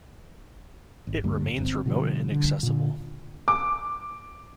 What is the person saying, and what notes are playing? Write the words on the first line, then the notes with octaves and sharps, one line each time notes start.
It remains remote and inaccessible.
G#1
D2 G2 G3 A#3
G1 C3 C4
B2 D3 F3 G3
D3
A#2 D3
D6